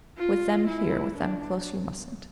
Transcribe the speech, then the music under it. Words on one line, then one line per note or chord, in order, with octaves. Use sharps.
With them here, with them close, you mustn't.
F4
E4
D4